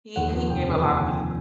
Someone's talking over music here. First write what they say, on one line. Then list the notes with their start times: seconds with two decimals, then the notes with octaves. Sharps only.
he he gave a lotta money.
0.16 D#2 F#5
0.33 F3
0.49 F1 G5
0.66 C#3
0.83 D#2 G#5
1.01 F3 G5